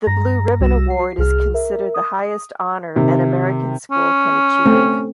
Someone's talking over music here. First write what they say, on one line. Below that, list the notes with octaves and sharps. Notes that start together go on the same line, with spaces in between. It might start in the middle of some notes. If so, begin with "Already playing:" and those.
The Blue Ribbon award is considered the highest honor an American school can achieve.
G2 A#5 A#6
C2 G3 F#4 E6 A#6 E7
F#4 C7
C2 G#4 F6
A#4 E5
D#6
C3 D#3
C#4
A3 C4